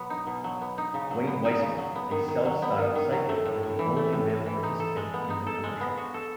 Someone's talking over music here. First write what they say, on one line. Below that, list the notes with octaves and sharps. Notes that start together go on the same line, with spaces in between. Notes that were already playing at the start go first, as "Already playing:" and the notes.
Wayne Weiseman, a self-styled psychic and the only male participant in the commercial.
Already playing: B2 F#3 B3
D#4
B2
F#3
B3
D#4
C#3
F#3
B3
D#4
C#3
F#3
B3
D#3
D#3
F#3
B3
D#3
D#3
F#3
A3
A2
A2
E3
A3
A2
A2
E3
D#4
A4
G#3
B3
D#4
A4
G#3
B3
F#4
A4